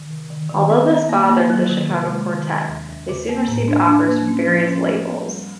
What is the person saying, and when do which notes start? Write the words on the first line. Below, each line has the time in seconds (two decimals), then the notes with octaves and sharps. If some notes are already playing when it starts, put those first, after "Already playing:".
Although this bothered the Chicago quartet, they soon received offers from various labels.
Already playing: D#3
0.10 C3
0.30 D#3
0.49 D#3
0.70 B3
0.90 B3
1.09 A#3
1.30 A#3
1.50 F#3
1.69 D#3
1.89 C3
2.09 G#3
2.29 D#3
2.49 D#3
2.68 D#2
2.89 D#2
3.09 C#3
3.29 A#3
3.48 A2
3.68 D4
3.88 D4
4.08 A#3
4.28 C#4
4.48 F3
4.68 C#4
4.87 A3
5.07 B3
5.27 G3